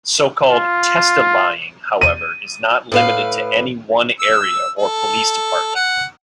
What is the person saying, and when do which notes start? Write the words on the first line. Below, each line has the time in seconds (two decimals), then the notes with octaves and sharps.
So-called "testilying," however, is not limited to any one area or police department.
0.50 F4
2.01 D#7
2.92 A2 B4 F5
4.20 E6
4.78 A4
5.75 F#5